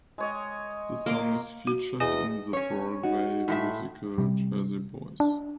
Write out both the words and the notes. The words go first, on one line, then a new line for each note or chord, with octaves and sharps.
The song is featured in the Broadway musical "Jersey Boys".
G#3 C#5 D#5
A#3 C6 D6
F#4
E2 D#5 G#5
C#4 C#5
D#4 F#4
A2 G#3 E5
C3 G3
D4